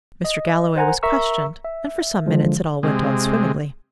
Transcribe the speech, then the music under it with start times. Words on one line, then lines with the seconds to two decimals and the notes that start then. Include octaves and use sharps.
Mr. Galloway was questioned; and for some minutes it all went on swimmingly.
0.25 D#5
0.76 A#4 C5 F#5 G#5 A#5
1.03 A#4 E5 A#5 C#6 E6
1.64 E5
2.26 D3 E3 F3 G#3
2.83 C3 G#3